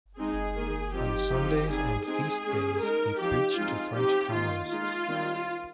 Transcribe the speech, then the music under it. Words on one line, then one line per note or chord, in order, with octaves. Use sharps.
On Sundays and feast days, he preached to French colonists.
G#3 C4 D#4 G#4
D#3 A#3 D#4
F3 C4 D#4 G4
F3 C4 D#4
G3 C4 D#4 G#4
G#3 C4 D#4 G#4
G#3 C#4
G#3 D#4 A#4
F3 C4 D#4 G4
F3 G#3 C4 D#4 F4
F3 C4 D#4 G4
D#3 A#3 D#4 F4
G#3 D#4 F4
D#3 G3 C4